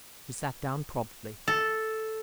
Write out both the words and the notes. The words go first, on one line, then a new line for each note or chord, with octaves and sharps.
She sat down promptly.
A4